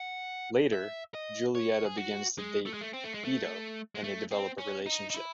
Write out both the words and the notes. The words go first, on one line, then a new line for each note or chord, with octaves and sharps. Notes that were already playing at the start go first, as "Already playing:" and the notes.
Later, Julieta begins to date Beto and they develop a relationship.
Already playing: F#5
E5
D#5
C#5
G#4
F#4
G#3
A3
G#3
A3
C4
A3
G#3
A3
G#3
A3
C4
C#4
D#4
D#4
E4